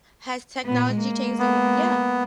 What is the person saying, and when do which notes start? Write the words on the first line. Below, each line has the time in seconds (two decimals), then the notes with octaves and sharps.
Has technology changed the way Yeah.
0.65 A#2 B3
0.97 G#3 A#3
1.39 B3